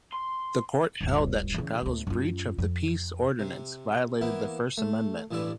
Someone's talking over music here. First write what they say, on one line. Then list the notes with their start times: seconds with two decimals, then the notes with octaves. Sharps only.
The Court held that Chicago's breach of the peace ordinance violated the First Amendment.
0.13 C6
1.01 D1 G1
1.54 E2 C#3
1.82 D2 B3
2.07 F#2 F4
2.58 F2
3.39 C3
4.21 E3 A#3 B3 E4
4.78 A3
5.31 A1 G2 E3 D5 E5